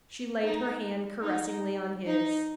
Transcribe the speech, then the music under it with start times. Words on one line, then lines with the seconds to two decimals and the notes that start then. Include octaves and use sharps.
She laid her hand caressingly on his.
0.42 D#4
1.23 D#4
2.05 D#4